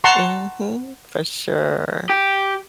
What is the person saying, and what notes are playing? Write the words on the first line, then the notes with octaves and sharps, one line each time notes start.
Mhm. For sure.
F#5 A5 A#5 C6 C#6
G4